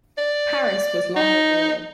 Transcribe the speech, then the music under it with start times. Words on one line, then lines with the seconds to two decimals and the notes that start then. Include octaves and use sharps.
"Paris" was long overall.
0.18 D5
1.16 D#4